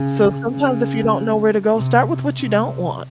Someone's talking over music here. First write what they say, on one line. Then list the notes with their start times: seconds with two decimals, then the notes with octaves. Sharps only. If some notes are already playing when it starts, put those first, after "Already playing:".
So sometimes if you don't know where to go, start with what you don't want.
Already playing: C#3
0.50 C#3
1.74 C3
2.35 C3